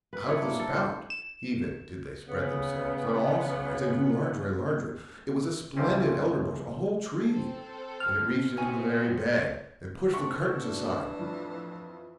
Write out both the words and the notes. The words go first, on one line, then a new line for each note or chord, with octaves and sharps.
Out of the spout even did they spread themselves on all sides, and grew larger and larger; it was a splendid Elderbush, a whole tree; and it reached into the very bed, and pushed the curtains aside.
B4
D4 E4 A4 C#5
A#3
A4
C5
E7
C#3 B3
C#2 F3 G3 A3 C4 C#4
C4 A4 C5
G#2 F6
C3 B3 C4 D#4 F#4 C#5 G#5
C4 D4 A#4 C#6 B6
A2 E3 D4 F#4
F2 F4